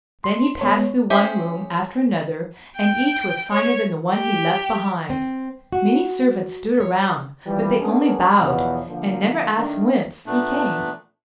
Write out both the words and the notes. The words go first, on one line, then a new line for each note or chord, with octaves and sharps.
Then he passed through one room after another, and each was finer than the one he left behind. Many servants stood around; but they only bowed, and never asked whence he came.
C6
G#3 B3 C#5
C#4 G4 G#4 C5 E5
G5
C#5
G4
C4
F#4
C#5
E3 F3 G3
B3 C#4 D4 G#4 A#4
E2 B2 F3 F#3
D3 F3 A#3
D#3 A3 D4
A#2 A3 B3 D4